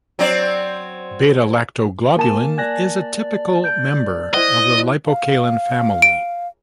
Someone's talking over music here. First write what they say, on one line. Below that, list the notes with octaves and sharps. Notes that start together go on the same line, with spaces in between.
Beta-lactoglobulin is a typical member of the lipocalin family.
F#3 C4 D5
A#3 G#5 A5 E7
D5 G#5 F#6 A#6
G6 D7
E4 C5 D#5 F#5
F5
D7